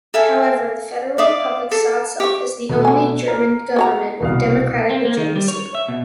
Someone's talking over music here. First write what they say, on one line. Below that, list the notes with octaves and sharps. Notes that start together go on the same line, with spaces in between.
However, the Federal Republic saw itself as the only German government with democratic legitimacy.
A4 E5 F5 G#5
D5 E5 F5 D#6
A4
G4 C#6
B2 A3 B3
D3 G#5
A#4
B3 F#4 A#5
C2 B2 F5
C4
A#3
D#3
G3
C#5
E5
B2